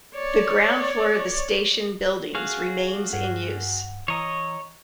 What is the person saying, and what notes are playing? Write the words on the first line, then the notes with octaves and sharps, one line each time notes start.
The ground floor of the station buildings remains in use.
C#5 D5
F#4 G#4 F5
G2 F#5
E3 C#5 D#5 A#5